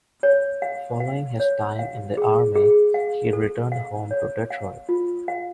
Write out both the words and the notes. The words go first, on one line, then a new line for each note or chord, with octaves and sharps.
Following his time in the Army, he returned home to Detroit.
C#5
F5
F5
C#5
F5
G#4
G#4
F5
A4
F5
C#5
F5
F4
F5